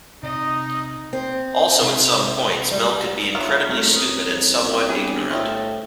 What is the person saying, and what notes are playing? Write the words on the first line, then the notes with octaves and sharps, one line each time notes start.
Also, at some points Mel could be incredibly stupid and somewhat ignorant.
C3 D#4 D#5
C4
C3
G3
B3 F4 A#4 C#5 E5 A#5
C2 A3 F6
C#4 B4 D#6
G4 G5
G3 B3 D4 G#4
A2 F3 A3 D#5 G5